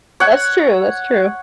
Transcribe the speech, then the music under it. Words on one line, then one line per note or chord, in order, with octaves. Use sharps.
That's true, that's true.
C#5 F#5